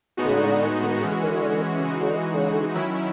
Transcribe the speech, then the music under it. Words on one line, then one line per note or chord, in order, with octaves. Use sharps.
There are two reservoirs in the parish.
A2 G#3 B3 D#4 F#4
E3 G#3 C#4 F#4
E3 G#3 D#4 F#4
D#3 F#3 C#4 E4